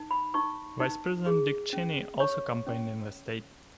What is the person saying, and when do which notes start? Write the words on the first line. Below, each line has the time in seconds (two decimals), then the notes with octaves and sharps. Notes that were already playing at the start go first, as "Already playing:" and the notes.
Vice President Dick Cheney also campaigned in the state.
Already playing: D#4
0.11 B5
0.34 D#4 C#6
0.80 D#4
1.26 G#4
1.73 C#4
2.20 C#5 C#6
2.67 C#4